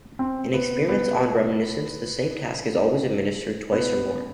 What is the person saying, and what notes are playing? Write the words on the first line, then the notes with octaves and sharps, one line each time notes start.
In experiments on reminiscence the same task is always administered twice or more.
C4
B3
B3
B3